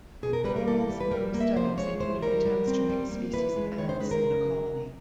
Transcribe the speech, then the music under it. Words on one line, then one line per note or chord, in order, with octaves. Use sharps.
Forel's early studies included attempts to mix species of ants in a colony.
B2 G#4
A#4
G3 B4
A#4
E3 A4
G3
B4
G3 A#4
A#3
E5
F3 C5
G#3 C#5
E3 C5
G3 A#4
G3
C4
G3
A#3
E3 B4
G#3
D#3 C#5
C5
G#3 B4
A#4
C#3
F#3